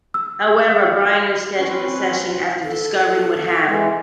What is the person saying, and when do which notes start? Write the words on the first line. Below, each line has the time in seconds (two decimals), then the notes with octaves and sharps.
However, Brian rescheduled the session after discovering what happened.
0.14 E6
0.69 F5
1.58 C4 C#4 B4
2.64 A4
3.66 E3 G#3